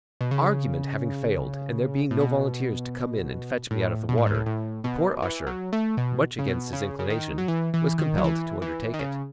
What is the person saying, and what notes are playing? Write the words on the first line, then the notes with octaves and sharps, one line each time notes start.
Argument having failed, and there being no volunteers to come in and fetch me out of the water, the poor usher, much against his inclination, was compelled to undertake it.
B2
C#3
A2
B2
A2
B2
A2
G#2
A2
A2
B2
E3
F#3
A3
B2
C#3
B2
C#3
C#3
D#3
F#3
E3
E3
D#3
F#3
E3
E3
D#3
C#3